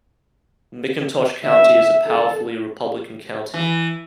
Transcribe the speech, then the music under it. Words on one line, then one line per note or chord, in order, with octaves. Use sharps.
McIntosh County is a powerfully Republican county.
E5
A4
E3